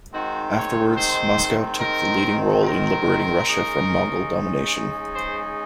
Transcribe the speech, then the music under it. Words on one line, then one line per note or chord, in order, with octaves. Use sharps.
Afterwards, Moscow took the leading role in liberating Russia from Mongol domination.
D#3 G#3 C4 D#4 F#4
C#5
C5
A#4
A#4
C#3 G#3 D#4
C5